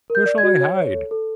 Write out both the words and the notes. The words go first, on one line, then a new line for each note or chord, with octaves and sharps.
Where shall I hide?
A#4
G6
D5
G#6
F#4
C#5
C#5
A4
A4